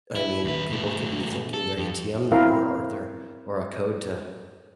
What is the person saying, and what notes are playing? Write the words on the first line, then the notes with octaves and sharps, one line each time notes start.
I mean, people could be thinking their ATM number or their or a code to
E4
D#2 B4
B2 A3
A4
F2
C4 E4 A#4 F5